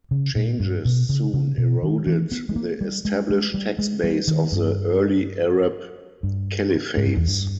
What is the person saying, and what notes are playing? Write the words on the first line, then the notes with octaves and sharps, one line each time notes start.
Changes soon eroded the established tax base of the early Arab Caliphates.
C#3
A#2
G2
B2
C#3
C#3
B2
D#3
E3
B3
G#3
A#3
G3
G#3
G#3
G3
G#3
G3
D#3
G2
G2
G#2
G2
E2
G2